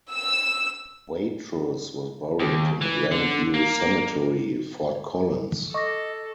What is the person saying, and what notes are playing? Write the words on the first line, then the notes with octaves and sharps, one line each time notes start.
Watrous was buried in Grandview Cemetery, Fort Collins.
E6
D#2
E3
D3
A#3
A4 D#5 C#6 D6 A#6